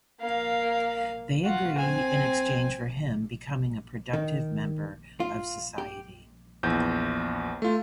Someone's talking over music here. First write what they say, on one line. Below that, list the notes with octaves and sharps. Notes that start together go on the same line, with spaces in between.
They agree in exchange for him becoming a productive member of society.
A#3 F5
F4 F#4
C4 G#5
D#3
F4
G4
A#1 E2 G6
A3 F4